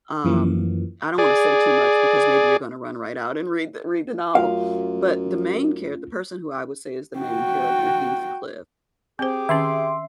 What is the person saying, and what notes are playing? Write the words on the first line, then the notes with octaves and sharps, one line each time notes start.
um, I don't wanna say too much because maybe you're going to run right out and read the read the novel, but, the main char the person who I would say is the main character, Heathcliff
F#2 E3 F3 A#3
G#4 D5
F#2 A3 C#4 F4 F5
F#4 G5
C4 G4 G#4 C5 D6
D#3 C#4 E5 C6